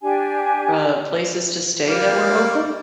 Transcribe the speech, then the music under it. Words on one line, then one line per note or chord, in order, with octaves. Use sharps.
uh, places to stay that were open?
D4 G4 G#5
G3 A#3